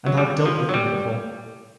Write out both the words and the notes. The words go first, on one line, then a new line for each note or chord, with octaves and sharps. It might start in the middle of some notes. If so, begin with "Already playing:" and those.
And I have dealt with him before.
F#3
G3
F3
F#3
G3